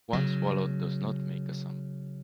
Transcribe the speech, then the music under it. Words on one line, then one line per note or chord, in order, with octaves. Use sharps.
One swallow does not make a summer.
C#3 F#3